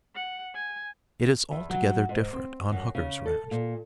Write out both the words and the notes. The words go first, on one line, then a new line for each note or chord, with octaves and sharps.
It is altogether different on Hooker's ranch.
F#5
G#5
E2
F#3
G#2
C4
F#2
C#3
A4
A#2